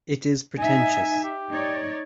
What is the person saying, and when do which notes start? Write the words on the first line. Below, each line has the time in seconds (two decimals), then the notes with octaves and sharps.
It is pretentious.
0.59 D#4 E5 G#5
1.24 G4
1.53 D#4 C#5 D5